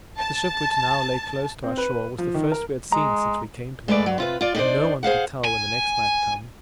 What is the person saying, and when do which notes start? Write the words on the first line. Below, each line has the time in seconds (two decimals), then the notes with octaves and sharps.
The ship which now lay close to our shore was the first we had seen since we came to the isle, and no one could tell when the next might come.
0.18 A5
1.64 C4
1.77 B4
2.18 F3
2.34 D#3
2.52 A#4
2.92 G#3 A#5
3.88 G#3 A3 B4 D5
4.06 F#3
4.18 C3 F4 B4
4.41 F4 D5
4.55 D4 D#4 G4 B4 C5 D5
5.03 G#4 C5 F5 F#5
5.44 G#5